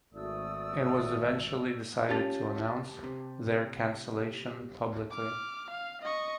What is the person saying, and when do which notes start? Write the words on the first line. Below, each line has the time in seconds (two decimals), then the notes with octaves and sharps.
It was eventually decided to announce their cancellation publicly.
0.14 G#1 A3 F#4 D5 D#6 E6
2.09 C#4 F4 G4 A5 A6
3.04 C3
5.11 D6 F6
5.70 F5
6.02 D#5 C#6